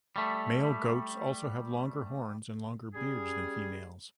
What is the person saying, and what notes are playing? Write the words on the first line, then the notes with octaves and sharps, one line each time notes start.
Male goats also have longer horns and longer beards than females.
G3 A3
G3 C#4 G#4